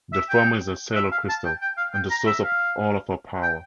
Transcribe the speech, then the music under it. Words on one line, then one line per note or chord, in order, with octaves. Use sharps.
The former is her Sailor Crystal and the source of all of her power.
E5
G5
E5
F5
A5
G5
G5
F5
G5
A#5
E5
F5
G5